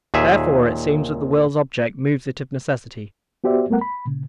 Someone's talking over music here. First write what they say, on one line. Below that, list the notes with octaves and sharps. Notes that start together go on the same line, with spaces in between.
Therefore it seems that the will's object moves it of necessity.
D#2 A#2 G#4 E5
B3 F#4 G4 C5 D5 E5
G3 A3 B3 A#4 F#5
B5
A#2 C#3